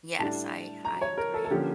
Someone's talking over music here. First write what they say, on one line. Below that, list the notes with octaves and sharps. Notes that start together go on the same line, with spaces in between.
Yes, I I agree.
A2 G3 D4 A5
A#5
C#5
A#4
A4
A4
D3 F3 A#3 C#4 G4